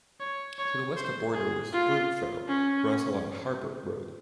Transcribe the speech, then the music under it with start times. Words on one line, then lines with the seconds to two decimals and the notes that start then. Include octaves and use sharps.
To the west the border with Brookvale runs along Harbord Road.
0.20 C#5
0.59 C#5
0.97 C5
1.35 G#4
1.73 F4
2.48 C#4